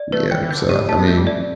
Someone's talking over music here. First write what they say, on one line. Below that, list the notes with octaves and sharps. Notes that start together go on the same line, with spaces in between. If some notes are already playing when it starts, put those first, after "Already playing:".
yeah, so, I mean
Already playing: D5
A3 B4
E3 G5
E3
D3 G6
G2 G4
A2
A3 A5
B3
A3 G6
G3
A3 D5
E3